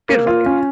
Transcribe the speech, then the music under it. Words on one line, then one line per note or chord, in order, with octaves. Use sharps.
beautiful area.
A#3
F4
C#4